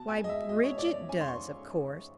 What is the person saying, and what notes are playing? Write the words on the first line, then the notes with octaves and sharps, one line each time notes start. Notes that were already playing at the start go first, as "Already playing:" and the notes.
"Why, Bridget does, of course."
Already playing: B2 A5
G#5
G#3
D#5
E5
B2 D#5
C#5
B2 D5
D5
C#4 G#5
C6
C#6